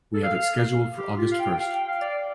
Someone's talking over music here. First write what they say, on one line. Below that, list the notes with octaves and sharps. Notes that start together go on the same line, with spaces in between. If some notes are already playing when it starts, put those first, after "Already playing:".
We have it scheduled for August first.
A4
F5
F5
G4
F4
F5
G5
G5
F5
G5
F5
D5